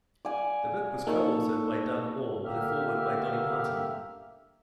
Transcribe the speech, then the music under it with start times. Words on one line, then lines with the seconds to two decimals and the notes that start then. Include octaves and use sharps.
The book was co-authored by Doug Orr with a Foreword by Dolly Parton.
0.25 D5 F5 G#5
1.07 A#3 D#4 A4 C#5
2.45 D3 A#3 G4 E5 F6